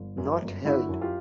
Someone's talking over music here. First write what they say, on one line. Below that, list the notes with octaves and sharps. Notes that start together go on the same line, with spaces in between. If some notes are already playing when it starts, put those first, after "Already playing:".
Not Held.
Already playing: G1
F#2
G1
D3 E4 F#4
F#2
F4 G4